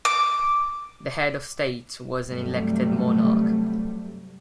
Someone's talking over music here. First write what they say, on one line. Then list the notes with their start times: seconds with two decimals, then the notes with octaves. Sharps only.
The head of state was an elected monarch.
0.05 D6
2.25 G2 C3 F#3 G3 A3